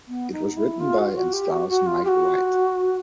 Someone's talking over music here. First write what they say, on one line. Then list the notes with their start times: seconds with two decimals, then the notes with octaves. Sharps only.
It was written by and stars Mike White.
0.08 B3
0.32 D#4
0.57 E4
0.80 F4
0.98 F#4
1.15 F#4
1.33 G4
1.51 F#4
1.69 F#4
1.87 F4
2.04 G4
2.08 F#4